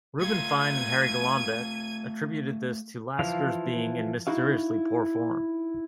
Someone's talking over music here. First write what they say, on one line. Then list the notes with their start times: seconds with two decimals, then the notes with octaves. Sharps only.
Reuben Fine and Harry Golombek attributed this to Lasker's being in mysteriously poor form.
0.21 A3 F4 G#6 D#7
3.19 E3 F3 F5
4.27 D#4 E4 F#4 F5